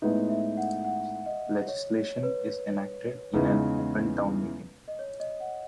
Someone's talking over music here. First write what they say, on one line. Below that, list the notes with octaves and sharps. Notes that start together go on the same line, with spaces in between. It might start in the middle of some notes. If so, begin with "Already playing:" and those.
Legislation is enacted in an Open Town Meeting.
A2 G#3 B3 D#4 E5
E5
F#5
F#5
D#5
C#5
C#5
C#5
B4
E2 C#3 E3 G#3 D#4
D#5
C#5
D#5
F#5